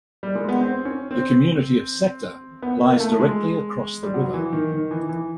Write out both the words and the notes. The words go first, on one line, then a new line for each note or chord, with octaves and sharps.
The community of Sector lies directly across the river.
G3
G#3
B3
C4
C#4
C4
B3
A#3
A3
G#3
G3
F#3
E3
D#3
D#3
E3
E3